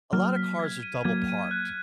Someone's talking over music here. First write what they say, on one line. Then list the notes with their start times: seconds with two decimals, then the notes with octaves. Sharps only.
A lotta cars are double-parked.
0.13 F#3 A#3 F6
0.37 B6
0.59 G#6
0.83 D#7
1.05 F#3 A#3 G#6
1.28 D#7
1.51 F#6